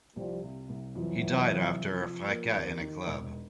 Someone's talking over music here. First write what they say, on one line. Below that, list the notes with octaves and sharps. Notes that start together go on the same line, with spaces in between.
He died after a fracas in a club.
C2 F3 G3
C3
C2
F2 E3 F#3
F2
C3
F3
F3
A#3
D#2
D#3
E1